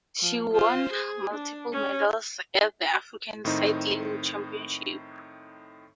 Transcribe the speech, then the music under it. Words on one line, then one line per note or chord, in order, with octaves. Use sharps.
She won multiple medals at the African Cycling Championships.
F3
F4 C5
G#4
D4
C#4
A2 D#3 C4 D#4